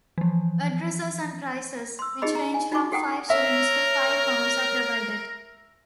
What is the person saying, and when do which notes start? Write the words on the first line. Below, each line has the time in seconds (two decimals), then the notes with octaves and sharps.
Addresses and prices, which range from five shillings to five pounds, are provided.
0.18 E3 F3
1.99 C6 E6
2.22 D#4 F4 G4 G#4 D#5 B5
2.35 A#5
2.54 G#5
2.72 D#4 F4 F#4 G#5 C#6 D6
2.92 G4 A4 F#5 G5 A#5 D#6
3.30 A#4 C#5 E5